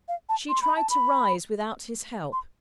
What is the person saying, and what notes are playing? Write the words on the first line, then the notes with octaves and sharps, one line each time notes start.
She tried to rise without his help.
F5
A5
C6
B5
A5
B5
C6